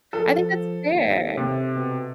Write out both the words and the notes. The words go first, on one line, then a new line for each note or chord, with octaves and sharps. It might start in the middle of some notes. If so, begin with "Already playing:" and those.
I think that's fair.
F3 A4
D#2
C3
B2